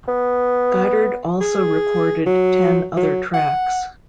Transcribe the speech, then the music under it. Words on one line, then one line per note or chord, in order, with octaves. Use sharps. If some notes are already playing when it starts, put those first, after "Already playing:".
Godard also recorded ten other tracks.
B3
G#4
F#3
F#3
F#5